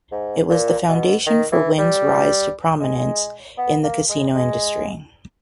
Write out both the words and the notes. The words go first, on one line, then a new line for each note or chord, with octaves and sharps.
It was the foundation for Wynn's rise to prominence in the casino industry.
G#2
A#2
B2
D#3
E3
G3
G#3
B3
A#3
G#3
G#3